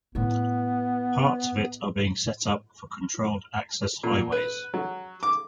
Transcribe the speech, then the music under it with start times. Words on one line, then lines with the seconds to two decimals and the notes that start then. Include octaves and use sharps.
Parts of it are being set up for controlled-access highways.
0.15 A2 B3 E4
4.03 A#2
4.32 B4
4.74 F#3
5.23 D6